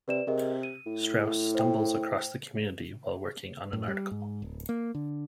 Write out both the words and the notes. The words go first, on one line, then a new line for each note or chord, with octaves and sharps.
Strauss stumbles across the community while working on an article.
C3 B4 D5 E7
C3 G#4 A#4 D#5
D#7
A2
C5 G5
A2
G3
G#2
D1
A#3
D3